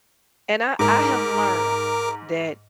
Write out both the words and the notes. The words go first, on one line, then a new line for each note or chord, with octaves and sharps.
And I I have learned that
G#2 A#4 A#5 D6